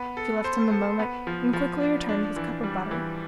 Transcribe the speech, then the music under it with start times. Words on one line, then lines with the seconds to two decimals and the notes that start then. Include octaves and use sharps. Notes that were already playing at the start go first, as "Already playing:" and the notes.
She left him a moment and quickly returned with a cup of butter.
Already playing: B3
0.17 A4
0.44 C5
0.71 A4
0.99 B3
1.27 F3
1.53 F3
1.81 D4
2.09 D4
2.36 E3
2.64 G3
2.91 E3